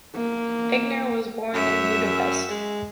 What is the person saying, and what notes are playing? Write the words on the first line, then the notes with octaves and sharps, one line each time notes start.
Eigner was born in Budapest.
A#3
F#2 E5
G#3